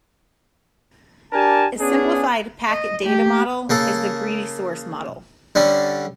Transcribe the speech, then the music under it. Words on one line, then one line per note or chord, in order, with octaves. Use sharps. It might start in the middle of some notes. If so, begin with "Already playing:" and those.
A simplified packet data model is the greedy source model.
D4 G4 A#4 G#5 A5
B3 C#4 D4 G#4
D#5
A3 G4
C#3 A#3 A4
D3 G3 C#4